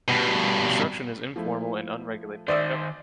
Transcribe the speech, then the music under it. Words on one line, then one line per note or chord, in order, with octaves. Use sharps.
Construction is informal and unregulated by the government.
G2 B2
F3 A3 E4
D#3 C5 D5 E5 D#6 E6